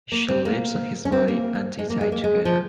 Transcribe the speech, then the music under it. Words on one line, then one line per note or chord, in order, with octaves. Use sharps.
She leaps on his body and they die together.
A#3
C4
A#3
C#4
C4
A#3
G#3
A#3
G#3
A#3
G#3
F3